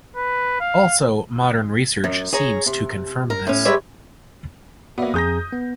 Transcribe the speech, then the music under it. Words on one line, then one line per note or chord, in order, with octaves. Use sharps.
Also modern research seems to confirm this.
B4
F5
F#2
G#4 C#5 A#5
C3
A#4
A2 C#4
G3 G#3 B4 C#5 D5 E5
A#3 B3 F#4 D5 E5
F2 G#4 A#5 D#6 G6 A#6
B3